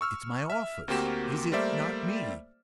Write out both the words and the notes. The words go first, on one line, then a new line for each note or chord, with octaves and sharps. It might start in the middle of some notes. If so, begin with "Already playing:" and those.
It's my office, is it--not me?
C#6 E6 F6
E5 F6
D2 A#3 C4 F#4 G4 E7
G3 A3 A#3 C5 D5 E5